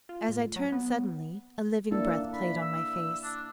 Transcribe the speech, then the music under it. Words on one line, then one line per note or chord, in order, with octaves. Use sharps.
As I turned suddenly, a living breath played on my face.
F4
A2
F#3
B3
A#3 D4 E4 A4
B5
E6
D4